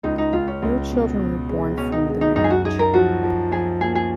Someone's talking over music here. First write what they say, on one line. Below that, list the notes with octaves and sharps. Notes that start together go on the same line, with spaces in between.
No children were born from the marriage.
C#2 D#4
D#4
C#2 F4
C#4
C#2
B2
B2
G#3
B2 C#4
D#4
G#3
D#4
F#2 D#4
G#4
F#4
D#4 G#4
A#4
F3 F#4
F3
F3 G#4
A#3 G#4
G#4